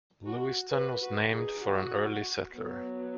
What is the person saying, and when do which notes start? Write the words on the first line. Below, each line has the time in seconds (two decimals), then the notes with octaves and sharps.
Lewiston was named for an early settler.
0.27 F#4
0.71 F#4 B4
1.01 F#4 B4
1.32 D#4 G#4
1.62 F#4
2.52 F#3 B3